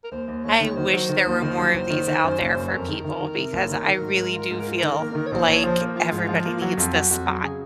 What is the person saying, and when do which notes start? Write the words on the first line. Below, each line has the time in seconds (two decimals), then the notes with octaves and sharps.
I wish there were more of these out there for people because I really do feel like everybody needs this spot.
0.04 A#4
0.12 D#2 C5
0.28 D#2
0.44 D#2 C#5
0.60 D#3
0.76 D#3 C5
0.94 F#3
1.09 D#3
1.25 D#2
1.42 D#3 C5
1.58 F#3
1.74 F#1
1.90 D#3
2.07 D#3
2.24 F#2
2.40 F#1
2.56 F#2
2.66 C5
2.72 F2 A#4
2.89 D#3
3.04 D#3
3.20 D#3
3.37 C3
3.53 F#1
3.70 D#3
3.86 D#3
4.01 G#2
4.17 G#2
4.34 F4
4.51 G#2
4.67 F4
4.83 D#3
4.99 A#3
5.15 D#3
5.26 C#5
5.32 A#1 C5
5.47 A#1 C#5
5.64 F3 C5
5.81 A#3
5.96 F3 F4
6.12 G#2
6.29 F3
6.45 A#3
6.57 F4
6.61 F#3 F#4
6.77 F2 F4
6.88 F4
6.93 F#3 F#4
7.11 F2 F#4
7.26 F#3
7.43 C#3 G#4